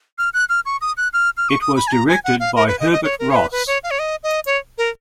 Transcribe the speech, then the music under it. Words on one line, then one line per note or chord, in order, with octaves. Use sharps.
It was directed by Herbert Ross.
F6
F#6
F6
C#6
D#6
F#6
F6
F6
C#6
D#6
B5
G#5
A#5
G#5
F#5
F5
A#4
B4
D#5
D#5
C#5
A#4
C#5
B4
B4
C#5
F5
C#5
D#5
D#5
C#5
A#4